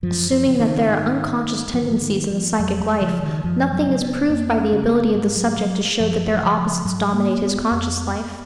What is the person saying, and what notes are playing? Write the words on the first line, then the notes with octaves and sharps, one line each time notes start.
Assuming that there are unconscious tendencies in the psychic life, nothing is proved by the ability of the subject to show that their opposites dominate his conscious life.
F#2 F3
F3
C#3
D#3
G#2
G#2 F3
D#3
F3
D#3
F3
F2 F#3
G#3
C#3 F3
D#3
F#2 F3
F#3
C#3
B3
B3
F2 A#3
C#4
C#3 C#4
B3
G#2 G#3
F#3
F#3
F#2 F3
F#3
C#3 F3
G#2 F#3
A#3
B3
F2